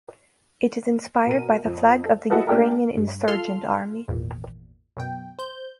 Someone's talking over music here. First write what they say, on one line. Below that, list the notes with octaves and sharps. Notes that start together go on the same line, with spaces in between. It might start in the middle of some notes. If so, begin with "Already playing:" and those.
It is inspired by the flag of the Ukrainian Insurgent Army.
B2 A#4 D#7
F2
A4
E4 F#4 G#4 A4 B4 D#5
A3 A#3 D4 G4 A4 A#4
G2
F4 A4 C6 F6
G#1 E2 A#2
F#2 B2 G5
C5 G6